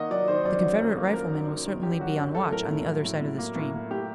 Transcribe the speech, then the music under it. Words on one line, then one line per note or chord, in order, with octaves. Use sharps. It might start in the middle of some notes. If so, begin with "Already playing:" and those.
"The Confederate riflemen will certainly be on watch on the other side of the stream."
Already playing: D#3 A#3 D#5 F#5
F#3 D5
D#3 C5
F#2 D5
F#3
F#2
A#3
A#3 A#4
F#3
D#3
D#3
F#3 G4
F#3 F#4
F#2
F#2 A4
A2 A#4
A2
F#3
A2
A2
A#3
A2
A#3
A2 G4